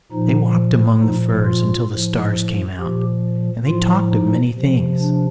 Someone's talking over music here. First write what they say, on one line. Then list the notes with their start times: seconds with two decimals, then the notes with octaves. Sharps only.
They walked among the firs until the stars came out, and they talked of many things.
0.12 A#2 F3 D#4
1.01 A#2 F3 D#4
1.45 F4
1.89 A2 F3
2.78 A#2 F3 G4
3.66 A2 F3 F4
4.12 D#4
4.56 C3 F3
5.00 D4